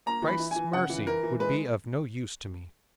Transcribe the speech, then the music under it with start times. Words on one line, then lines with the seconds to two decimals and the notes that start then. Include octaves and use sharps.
Christ's mercy would be of no use to me.
0.06 A#3 A#5
0.22 E3
0.28 B5
0.39 E4
0.51 E3 G#5
0.73 C#3 F#5
0.89 E3
1.07 E3 A#4
1.23 E3
1.39 G#3 B4